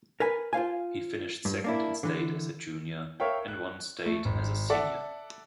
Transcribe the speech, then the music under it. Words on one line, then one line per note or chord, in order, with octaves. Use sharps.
He finished second in state as a junior, and won state as a senior.
A#4 B4 G#5
F4 C5 F5 G#5
G2
A#3 D4 E4
D3 E3
A#4 C#5 E5 F5 G5
F#6
A3
G#1
A4 D5 E5 F#5